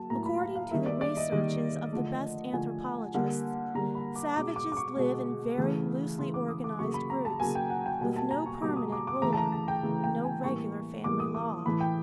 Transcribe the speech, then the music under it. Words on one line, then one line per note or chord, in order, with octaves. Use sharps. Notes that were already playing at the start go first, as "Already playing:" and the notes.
According to the researches of the best anthropologists, savages live in very loosely organized groups, with no permanent ruler, no regular family law.
Already playing: F#3 A#3 A5
A2 F#3 A#3 A#5
B5
F5
F5
D#3 G3 A#3 E5
D5
D5
D#5
D#3 G3 A#3 D#5
D3 F3 A3
D3 F3 A3 G#5
D3 G3 A#3
D3 G3 A#3 A#5
B5
D6
B2 G#3 D6
D6
D6
C#6
B2 G#3
C#3 E3 A3
C#3 E3 A3 C6
D6
D#6
D6
C#3 F#3 A#3 C#6
B5
A#5
A5
C#3 F#3 A#3 G#5
G5
F#5
G5
B2 G3 A#3 G#5
A5
A#5
C#6
B2 G3 A#3 D6
D#6
D6
D6
C#3 E3 A3 A#5
A5
A#5
A5
G5
C#3 E3 A3
G5
G#5
A2 E3 G3 A#3 C#6
A2 E3 G3 A#3 D6
D#6
D6
A2 E3 A3 B5
G5